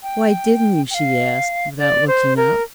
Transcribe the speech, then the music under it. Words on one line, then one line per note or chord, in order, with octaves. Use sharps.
"Why didn't you?" she asked, without looking up.
G5
G5
F5
D5
C5
A#4